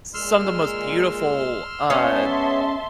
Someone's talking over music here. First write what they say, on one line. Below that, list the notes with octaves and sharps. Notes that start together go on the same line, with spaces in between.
some of the most beautiful, uh
A#2 G#3 C6 E6 F6
G#3 B3 C#4 C#5 E5 F5 A5 C6